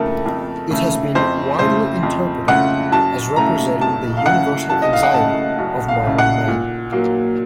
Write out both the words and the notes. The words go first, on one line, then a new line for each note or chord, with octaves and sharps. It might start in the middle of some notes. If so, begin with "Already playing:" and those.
It has been widely interpreted as representing the universal anxiety of modern man.
Already playing: F2 C#3 A3 A4 A#4
F2
C#3 A3
F2 C5
C#3 A3 C5
F2
C#3 A3 F#5
F#2 A5
C#3 A3 A#5
F#2 A5
F5
C#3 A3 F#5
F#2 A5
D#5
F5
F#5
C#3 A3 A5
F#2
F5
C#3 A3
F#5
A#2
F#3 A#3